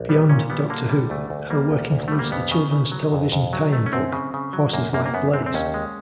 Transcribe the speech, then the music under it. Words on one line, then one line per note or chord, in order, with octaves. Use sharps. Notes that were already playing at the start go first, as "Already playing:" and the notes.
Beyond "Doctor Who", her work includes the children's television tie-in book "Horses Like Blaze".
Already playing: A#1
G3 B3
A#2 C#4
G3 B3
D3 A#3
G3
D2 A3
D2
G3 A#3
D2
D2
G3 A3
A#3
F2 B3
C#3
C#3
F#3
F2
F2
F#3
A3
C#4
F#2 C4
C#3
C#3
F#3
F#2 A#3
F#2 A#3
A#3
F#2 B3
F#2 C4
C4
D#2 C#4
G#3